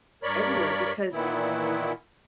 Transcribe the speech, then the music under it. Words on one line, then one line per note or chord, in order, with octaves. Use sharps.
everywhere? Because
G2 A#4 C#5 D5 B5
A#2 D#3 E3 B3 E4